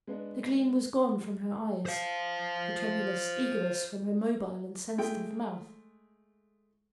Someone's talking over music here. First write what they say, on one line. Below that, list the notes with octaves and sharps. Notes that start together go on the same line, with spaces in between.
The gleam was gone from her eyes; the tremulous eagerness from her mobile and sensitive mouth.
G#3 B3 D4
C5 F5
G#3 A3 G5